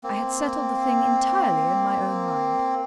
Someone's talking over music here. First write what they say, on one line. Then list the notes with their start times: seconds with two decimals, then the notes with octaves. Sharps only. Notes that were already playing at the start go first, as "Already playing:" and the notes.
I had settled the thing entirely in my own mind.'
0.03 A#3 C4